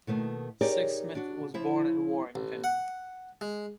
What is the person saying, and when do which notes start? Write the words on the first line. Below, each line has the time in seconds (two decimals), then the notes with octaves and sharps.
Sixsmith was born in Warrington.
0.07 B2 D#3 A3 A#3
0.61 D#4 G4 G#4 A#4 C#5 D5
1.15 D4 F#4
1.54 F3 E4 E5
2.35 A1
2.64 F#5
3.41 G#3